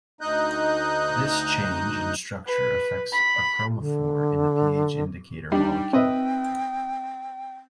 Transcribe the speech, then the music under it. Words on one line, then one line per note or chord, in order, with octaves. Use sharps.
This change in structure affects a chromophore in the pH indicator molecule.
D2 D#4 D#5 F#6 G6
B4
B5
D3
G3 D4 D#4 G5
C4 B4 D#5 E5